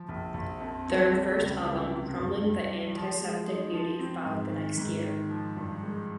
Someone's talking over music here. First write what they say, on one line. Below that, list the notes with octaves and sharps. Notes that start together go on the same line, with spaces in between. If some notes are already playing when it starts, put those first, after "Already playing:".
Their first album, "Crumbling the Antiseptic Beauty", followed the next year.
Already playing: F3
A#1
A#1
F2
F2
G3
C#2
C#2
C3
G2
G2
G3
F3
G#3
D#4
F3
C4
G#2
D#3
G#2
D#3
F3
G2
G#3